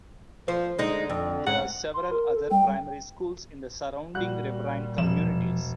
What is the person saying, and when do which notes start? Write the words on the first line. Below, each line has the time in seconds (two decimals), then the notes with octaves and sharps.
There are several other primary schools in the surrounding riverine communities.
0.48 F3 C5
0.79 D3 G#3 D#4
1.10 F2
1.46 G#2 F#5
1.94 C6
2.11 A#4
2.36 A4
2.51 G3 G5
4.15 A#2 G3 F#4 F#6
4.98 E1 F3 E7